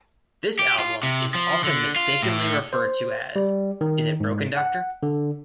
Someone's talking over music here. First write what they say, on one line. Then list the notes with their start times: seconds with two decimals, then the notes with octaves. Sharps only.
This album is often mistakenly referred to as Is It Broken, Doctor?
0.59 G4
0.79 F4
1.03 C3
1.35 F3
1.64 D3
1.96 F4
2.23 A2
2.73 C5
3.36 G3
3.81 D#3
4.20 G#2
4.57 F#5
5.03 D3